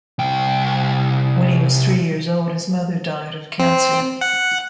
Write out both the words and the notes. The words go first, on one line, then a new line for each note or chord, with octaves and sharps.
When he was three years old, his mother died of cancer.
C2 G5
C4
F#5